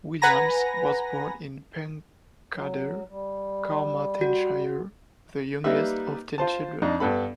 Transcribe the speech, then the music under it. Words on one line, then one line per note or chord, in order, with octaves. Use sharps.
Williams was born in Pencader, Carmarthenshire, the youngest of ten children.
B4 F#5 G#5 A#5 A#6
F#3
G3
F#4
G3 A#3 D#4 G4 B4 E5
F4 C5 A5
F2 D4 D#4
G2 B3 A4 B5